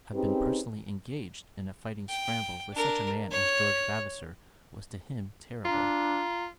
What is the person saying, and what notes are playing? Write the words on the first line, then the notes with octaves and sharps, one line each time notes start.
To have been personally engaged in a fighting scramble with such a man as George Vavasor was to him terrible.
C4 C#4 D#4 G4 G#4 B4
G5
D4 A#4
C#5
D4 F4 A#5